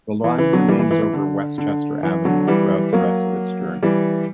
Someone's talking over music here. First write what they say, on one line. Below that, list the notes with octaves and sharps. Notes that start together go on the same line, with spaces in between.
The line remains over Westchester Avenue throughout the rest of its journey.
E3
E3
D3 F#3
E3 G3
E3
E3
E3
D3
D3
E3
D3 F#3
E3 G3
F#3 A#3
E3 G3